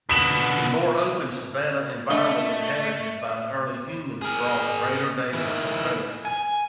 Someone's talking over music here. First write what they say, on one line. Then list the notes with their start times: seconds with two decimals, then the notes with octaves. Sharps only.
The more open savannah environment inhabited by early humans brought greater danger from predators.
0.09 B2 D3 B6 E7 F#7
2.10 A3 D4 D#5 E5 G7
4.22 G#4 A#4
5.34 D#3 E4
6.25 G#5